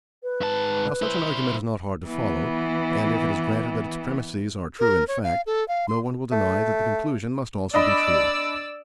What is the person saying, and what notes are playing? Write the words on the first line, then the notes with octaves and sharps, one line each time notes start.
Now such an argument is not hard to follow; and if it is granted that its premisses are true in fact, no one will deny that the conclusion must also be true.
B4
G#2 A5
E4 C5
E3 B3
A#4
C#5
F5
A4
F5
C6
A3
D4 D5 D#5 B5 E6